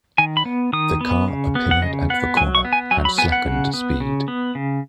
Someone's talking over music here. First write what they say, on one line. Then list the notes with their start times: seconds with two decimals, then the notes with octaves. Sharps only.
The car appeared at the corner and slackened speed.
0.18 D#3 G#5
0.37 B5
0.45 B3
0.73 D#3 D#6
1.01 B3
1.28 C#3
1.55 B3
1.71 F#5
1.82 C#3 D#5
2.10 B3 F#5
2.37 F#3 G#5
2.55 C#6
2.65 B3
2.73 G#5
2.91 F#3 G#5
3.05 B5
3.18 B3 G#5
3.32 F#5
3.46 C#3
3.74 B3
4.00 C#3
4.28 B3
4.55 C#3